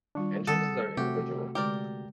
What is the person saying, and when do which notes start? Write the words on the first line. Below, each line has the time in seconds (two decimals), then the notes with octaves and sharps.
Entrances are individual.
0.15 D#3 G3 D4 F4 C#6
0.47 G3 C4 A4 F#5 D#6
0.97 C3 A3 F#4 G4
1.55 D3 G#3 G4 A#4 B4 D5